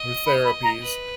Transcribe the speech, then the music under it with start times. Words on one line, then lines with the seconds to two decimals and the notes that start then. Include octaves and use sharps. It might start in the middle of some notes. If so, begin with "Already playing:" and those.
her therapies,
Already playing: D#5
0.26 B5
0.45 B5
0.63 A#5
0.82 B4